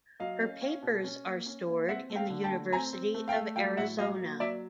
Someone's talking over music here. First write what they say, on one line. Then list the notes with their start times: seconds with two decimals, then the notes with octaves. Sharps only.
Her papers are stored in the University of Arizona.
0.20 F#3 D#5 F5
0.41 C#4
0.61 C#4
0.83 B2
1.04 C#4
1.25 A#3
1.46 C#4
1.67 A#3
1.88 C4 E5 F#5
2.10 A3
2.16 F5 G5
2.30 D3
2.44 G5 A5
2.51 A3
2.72 C4 G#5 A#5
2.93 C4
3.14 A3
3.28 F5 G5
3.35 A3
3.56 F#3 F5 G5
3.77 A2 E5 F#5
3.98 F#3 D#5 F5
4.19 A#3
4.40 F#3 D5 E5